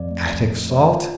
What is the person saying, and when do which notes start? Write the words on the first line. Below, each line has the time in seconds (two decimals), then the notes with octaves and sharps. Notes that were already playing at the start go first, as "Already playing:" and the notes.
"Attic salt?"
Already playing: F2 D5
0.11 A3
0.31 A3
0.50 A3
0.70 C#5
0.89 F4